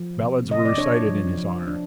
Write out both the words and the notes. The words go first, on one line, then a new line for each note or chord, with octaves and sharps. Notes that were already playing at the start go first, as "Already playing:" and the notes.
Ballads were recited in his honour.
Already playing: F3
C3
C3 D#5
D5
D4 C#5
F3
F3
D4